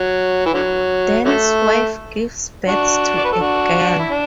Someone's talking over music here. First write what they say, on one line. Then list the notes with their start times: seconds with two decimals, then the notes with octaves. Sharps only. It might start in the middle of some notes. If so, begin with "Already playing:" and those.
Dan's wife gives birth to a girl.
Already playing: F#3
0.46 E3
0.54 D3 F#3
1.25 D3 F#3 A3
2.68 D4 F#4
3.17 D5
3.25 B4
3.32 A4
3.39 D4 F#4
3.99 E4
4.11 D4